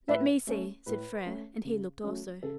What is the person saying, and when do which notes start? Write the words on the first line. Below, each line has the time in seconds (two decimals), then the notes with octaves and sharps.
"Let me see," said Frere; and he looked also.
0.08 A2 B4 E5
0.47 A3 C#4
0.86 A2 B4
1.26 A3 C#4
1.65 C#3
2.04 F#3 A3 C#4
2.43 C#3 A4